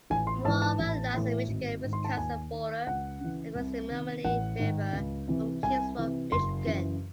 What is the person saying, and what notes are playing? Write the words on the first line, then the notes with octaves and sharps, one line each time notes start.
Aurora lies on the Michigan-Wisconsin border, across the Menominee River from Kingsford, Michigan.
A1 G#5
C6
G#2 E3 A5
A5
A1
A2 E3
G#1
G#2 D#3
C6
A5
D#2 G#5
D#3
C#2 F#5
C#3 E3
C2
C3 D#3
A1 F#5
G#2 D#3
C#2
C3 E3
C2 G#5
C3 E3
F#1 C6
F#2 C#3 E3